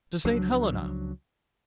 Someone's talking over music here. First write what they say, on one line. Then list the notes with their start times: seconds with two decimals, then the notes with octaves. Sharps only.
"To Saint Helena."
0.25 C#2 F3 F#3 D4